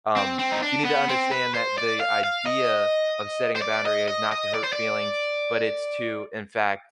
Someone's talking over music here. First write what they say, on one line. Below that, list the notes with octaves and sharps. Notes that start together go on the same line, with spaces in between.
um, you need to understand that the idea of setting a boundary is not to hurt feelings, but, it's to, in fact
C4
C4
D#4
D4
B3
C4
B4
C5
D5
F5
F5
D#5
C5
D5
D#5
D#5
D#5
D5
C5
D5